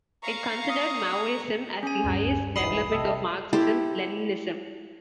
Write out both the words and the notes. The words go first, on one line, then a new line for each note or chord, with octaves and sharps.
It considers Maoism as the highest development of Marxism-Leninism.
F5 A#5 C#6
D#6
C#4 G#4 G#5
D#1 D2 G2
E1 B1 G#2 E3 B5 D#6 C7
C3 A4 D#5 E5 G5
E4 G4 A4 C5